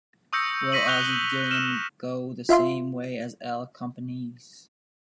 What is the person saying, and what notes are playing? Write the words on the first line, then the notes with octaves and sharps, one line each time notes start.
Will Ozzie Guillen Go the Same Way as Al Campanis?
C#6 D#6 E6 G6 A#6 C#7
E6 A#6 B6 D#7 F#7
C#6 E6 F#6 G6 F7 G7
F6 E7
F4 E5 F5 C6